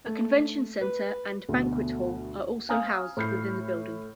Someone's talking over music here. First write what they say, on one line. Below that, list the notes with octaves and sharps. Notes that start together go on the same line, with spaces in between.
A convention center and banquet hall are also housed within the building.
A3
B4
D2 B2
F5 G#5 A#5 D#6 F6
A2 B5 F6 G6 C7